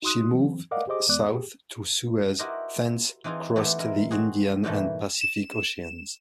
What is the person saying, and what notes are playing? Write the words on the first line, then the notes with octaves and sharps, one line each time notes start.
She moved south to Suez, thence crossed the Indian and Pacific Oceans.
D#4 F#4 C6 D#6 F#6
E3 F#3 C4
A#4 D5 D#5 F5 F#5 D6
G4 G#4 C5 D#5 D6
E2 G#3 B3 D5 D6 F#6
G4 G#4
E4 F#4 G4 A#4 C5 D#5
E3 C4 D#4 F4 G#4
E3 A3 B3 C4 E4 G4
G#3 E4 A#4
C4 F#4 G#4
G#2 B2 E3 G3 A3 A#3
E7